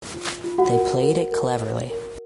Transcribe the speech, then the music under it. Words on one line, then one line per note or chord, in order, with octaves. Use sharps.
They played it cleverly.
F4
F4
F#4 F#5
A#4
A#4
A#4
C#5
A#4